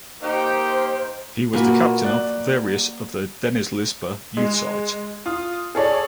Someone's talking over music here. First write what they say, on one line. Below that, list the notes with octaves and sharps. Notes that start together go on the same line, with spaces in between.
He was the captain of various of the Denizlispor youth sides.
A#3 D#4 G4 C5
A#2 A#3 F#4 B4
D5 F#6
G#3
F4 D#6
G#4 A4 C#5 D5